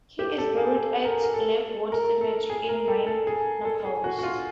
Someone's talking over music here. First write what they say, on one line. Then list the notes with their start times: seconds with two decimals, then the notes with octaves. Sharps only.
He is buried at Lakewood Cemetery in Minneapolis.
0.19 G4
0.38 A4
0.57 G#4
0.76 A4
1.05 A#4
1.23 A#4
1.34 A4
1.92 A#4
2.21 A4
2.50 G#4
2.69 A#4
2.88 A4
3.07 A4
3.27 G#4
3.65 A4
3.85 G#4
4.04 F#4
4.19 F#4
4.23 F4